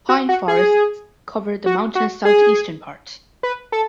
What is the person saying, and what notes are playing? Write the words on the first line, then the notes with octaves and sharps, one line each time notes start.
Pine forests cover the mountainous southeastern part.
F#4
F#4
G#4
F#4
F#4
G#4
B4
A4